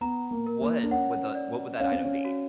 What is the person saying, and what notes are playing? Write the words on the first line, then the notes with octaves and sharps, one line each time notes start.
what would the what would that item be?
B3 A#5
A#3
A#4
A#3
D4
C#4 F#5
D5
C#4 F5
C4
C#4
F#4